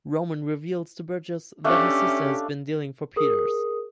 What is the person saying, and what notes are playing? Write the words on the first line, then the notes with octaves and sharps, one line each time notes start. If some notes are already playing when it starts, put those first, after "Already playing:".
Roman reveals to Burgess that his sister has been dealing for Peters.
A3 C#4 D4 G4 F5
G#4 A#4 D#6